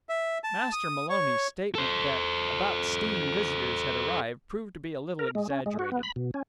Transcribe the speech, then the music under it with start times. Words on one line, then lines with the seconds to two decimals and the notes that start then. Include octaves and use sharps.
Master Maloney's statement that "about 'steen" visitors had arrived proved to be a little exaggerated.
0.09 E5
0.44 A5
0.72 D#6
1.09 C#5
1.75 A4 C5
5.19 A#4
5.35 G#3
5.50 C#4
5.66 G#3
5.79 F#4
5.92 B3
6.03 B5
6.16 B2
6.34 C#4